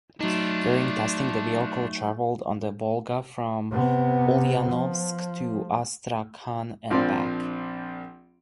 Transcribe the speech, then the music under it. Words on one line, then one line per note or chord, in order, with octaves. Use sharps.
During testing the vehicle travelled on the Volga from Ulyanovsk to Astrakhan and back.
F#3 A3 D4 D#4 F4
C3 B3
F3
A#1 F3 C4 D4 D5